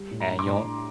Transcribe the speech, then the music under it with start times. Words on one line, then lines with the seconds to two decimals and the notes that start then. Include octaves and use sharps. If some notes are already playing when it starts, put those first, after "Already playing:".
and you won't
Already playing: G3
0.11 A2
0.20 A#5
0.28 D4
0.39 D6
0.46 A2 C6
0.64 D4